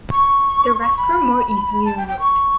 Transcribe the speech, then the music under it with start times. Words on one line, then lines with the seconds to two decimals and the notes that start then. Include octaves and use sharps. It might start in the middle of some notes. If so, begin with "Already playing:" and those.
The rest were more easily removed.
0.11 C#6
0.81 C#6
0.97 B5
1.85 A5
1.97 G5
2.08 G5
2.19 C#6